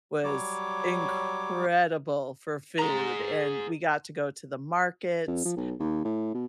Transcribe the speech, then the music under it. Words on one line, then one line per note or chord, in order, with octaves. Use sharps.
was incredible for food, and we got to go to the markets,
F#3 G3 C#5 D6
G#4 A#5
F2
F3
B1
D#2
A2
B2